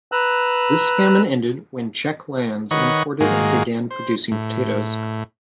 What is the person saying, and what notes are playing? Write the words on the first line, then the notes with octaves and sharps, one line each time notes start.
This famine ended when Czech lands imported and began producing potatoes.
B4 A#5 E6 F#6
D#3 B4 C#5 D#5 F#5 C#6
G#2 D#3 A#3 F#4 G#4
C5
A2